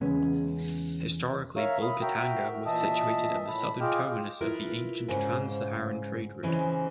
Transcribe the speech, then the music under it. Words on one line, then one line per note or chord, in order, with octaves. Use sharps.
Historically Bolgatanga was situated at the southern terminus of the ancient Trans-Saharan trade route.
E2 C#3 G#3 B3 C#4
A#4 C#5 E5 F5 A#5 C#6
B5 D#6
F#4 A#4 E5 G5 A#5
A#2 E3 D#5 E5 A5 D#6
A2 B5
F4 G#4 D#5 G5 D6 F6
E4 F4 A#4 B4
G#2 C#3 C5
C#3 E3 C#4 D#4 C5